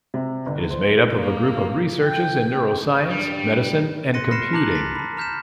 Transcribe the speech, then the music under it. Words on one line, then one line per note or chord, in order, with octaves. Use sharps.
It is made up of a group of researchers in neuroscience, medicine, and computing.
C3
G1
C5
A#3
G5
G2 G3
C6 F#6 A#6 C#7 D#7
B5 F6 A#6 C7 C#7 E7
A5 A#5 D6 F#6 F#7
A6 B6
A5 B5
A#5 F6 G6 B6 E7